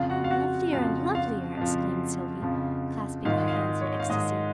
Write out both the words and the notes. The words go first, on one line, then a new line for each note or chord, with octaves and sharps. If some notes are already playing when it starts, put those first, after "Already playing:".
"Lovelier and lovelier!" exclaimed Sylvie, clasping her hands in ecstasy.
Already playing: F2 C#3 F3 F4 F5
F#4 F#5
F5
F#4 F#5
F2 C#3 F3 F4 F5
F4 F5
F2 C#3 F3
F2 C#3 F3
G#2 D#3 G#3 F4 F5
F5
D#5
C#5
F5
G#2 D#3 G#3 D#5